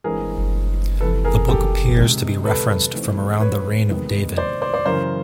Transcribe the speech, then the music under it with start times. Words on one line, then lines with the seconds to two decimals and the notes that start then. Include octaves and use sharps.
The book appears to be referenced from around the reign of David.
0.04 G2 E3 G#3 C4 G#4 A#4
1.00 F2 C3 E3 A4 B4
1.25 G#4 A#4
1.48 G4 A4
1.97 C3 D#3 G#3
2.45 A4 B4
2.93 G#2 E3 A3 C4
3.41 B4 C#5
3.90 C3 D#3 G#3 B3
4.37 C5 D5
4.62 C5 D5
4.74 C5 D5
4.85 F#2 C#3 E3 A#4 C5